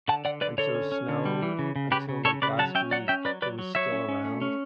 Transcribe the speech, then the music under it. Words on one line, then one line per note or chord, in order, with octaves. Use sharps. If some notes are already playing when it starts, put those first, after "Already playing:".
and so snow, until like last week, it was still around,
D3 F#5 A5
D3 D5 F#5
D3 B4 D5
D3 A4 C#5
C#4
C#4
D3
G3
E3
C#3
C#3
C#3 G4 B4
C#3
C#3 A4 C#5
C#3 B4 D5
F#3 F#5 A5
C#4 E5 G5
F#3 D5 F#5
C#4 E5 G5
F#3 B4 D5
F#3 B4 D5
F#3
F#3 C#5 E5
C#4
C#4
A3
C#4